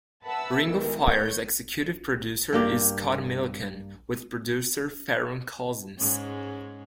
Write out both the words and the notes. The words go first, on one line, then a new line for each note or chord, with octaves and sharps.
"Ring of Fire"s executive producer is Scott Millican, with producer Farron Cousins.
B4 E5 F#5 A5 B5 E6
B2 D#3 E3 G#3 A3
C#5 G6
G2 A#3 G4
G#2 G#3 C#4